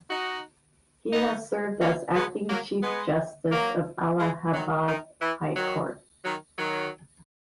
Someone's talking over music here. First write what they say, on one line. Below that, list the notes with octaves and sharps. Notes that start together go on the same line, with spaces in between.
He has served as Acting Chief Justice of Allahabad High Court.
D#4 F#4
B3 D#4
A#3 C#4
G#3 B3
F#3 A#3
G#3 B3
F#3 A#3
E3 G#3
D#3 F#3
D#3
E3
D#3 F#3
D#3 F#3
D#3 F#3